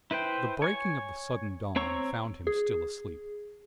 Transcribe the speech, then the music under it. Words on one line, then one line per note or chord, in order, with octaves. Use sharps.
The breaking of the sudden dawn found him still asleep.
E4 B4 C5 G5
C#5 G#5
C4 C#5 A#5 C#6 E6
G#4